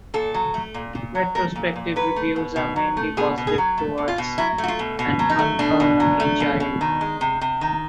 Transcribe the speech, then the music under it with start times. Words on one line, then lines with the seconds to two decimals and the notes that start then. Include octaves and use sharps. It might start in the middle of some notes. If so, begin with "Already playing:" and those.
Retrospective reviews are mainly positive towards "An Unearthly Child".
0.14 A#2 A4
0.34 F#3
0.54 A3
0.74 A#2
0.95 A#2
1.15 F#3
1.35 A3 A#4
1.56 A#2
1.76 A#2
1.96 F#3 B4
2.16 A3
2.36 B2
2.56 B2
2.76 F#3
2.97 A3
3.17 B2 G#4
3.38 B2
3.47 G#4
3.58 F#3
3.78 A3
3.98 B2
4.08 F4
4.18 B2
4.38 F#3 E4
4.58 A3
4.64 F#4
4.68 F4
4.79 B2
4.99 B2
5.19 F#3
5.30 D#4
5.39 A3
5.59 B2 D4
5.80 B2
6.00 F#3
6.20 A3
6.40 B2
6.60 B2
6.81 D#3
7.01 G#3
7.21 C3
7.41 C3
7.61 D#3